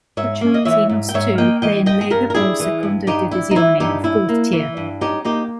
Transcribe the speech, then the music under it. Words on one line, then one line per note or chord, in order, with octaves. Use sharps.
Crociati Noceto play in Lega Pro Seconda Divisione, the fourth tier.
G#2 C#5 E5
A#3
D#5
E3 C#5 E5
G#2
G5
G#2 C#5 E5
A#3 D#5 G5
E3 D#5 G5
G2 D#5 G5
G#4
G2 G4 A#4
A#4
G3 E4 G#4
E3
G2
G2 D#4 G4
G3 E4
D#4
E3 E4
G2 D#4 G4
C#4 E4
A#3
E3
G2
C#4 D#4 G4
A#3 D#4 G4